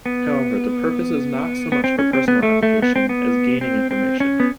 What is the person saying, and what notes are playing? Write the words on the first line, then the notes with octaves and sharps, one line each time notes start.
However, the purpose is not so much for personal application as gaining information.
B3
B3
C4
C#4
C4
B3
A3
A3
B3
C4
B3
C4
C4
C#4
B3